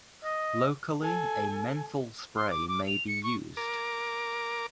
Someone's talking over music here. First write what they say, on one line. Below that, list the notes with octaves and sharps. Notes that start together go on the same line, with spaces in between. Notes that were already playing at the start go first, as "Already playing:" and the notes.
Locally a menthol spray may be used.
D#5
A4 G#5
C6
D6
D6
F7
C#7
C#6
A#4 D6